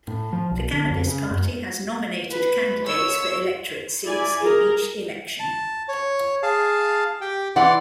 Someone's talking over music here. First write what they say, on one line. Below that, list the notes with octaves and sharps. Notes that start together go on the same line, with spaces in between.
The Cannabis Party has nominated candidates for electorate seats in each election.
A2
F3
B1
D3
F2
C#3
F#2
B4
C#5 E6
E4 D5 G#5
G#4 A#4
A5
C#5
G#4 F5 A5
G4 G5
E3 D5 F#5 C6